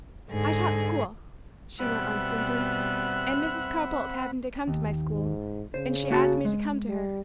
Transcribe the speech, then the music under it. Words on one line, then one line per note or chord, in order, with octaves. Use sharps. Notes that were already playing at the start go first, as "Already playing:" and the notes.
"I taught school," she went on simply, "and Mrs. Carr-Bolt happened to come to my school, and she asked me to come to her."
G#2 D3 G#4
B2 G3 B3 C4 E5 F#5 B5 F#6
D#2
G#2
C#3 C5
A#3 F#4 A5
G#3
G3